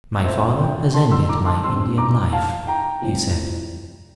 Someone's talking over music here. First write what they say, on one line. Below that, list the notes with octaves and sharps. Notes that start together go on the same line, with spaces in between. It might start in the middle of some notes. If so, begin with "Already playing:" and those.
"My father has ended my Indian life," he said.
A#1 A#2 A3 C4 C5 E5
E5 G5
A5 C6
C6 E6
A#5 D6
A5 C6
E2 D3 G3 C4 C6 E6
A#5 D6
F5 A5
G5 A#5
F1 F2 C3 E3 G3